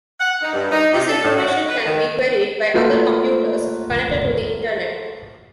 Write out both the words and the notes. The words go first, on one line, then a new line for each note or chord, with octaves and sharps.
This information can be queried by other computers connected to the Internet.
F#5
D#4
G2
D#4
C3
A4
A2
F#4
B4
D#3
A3 A#3 F4 F#4 B4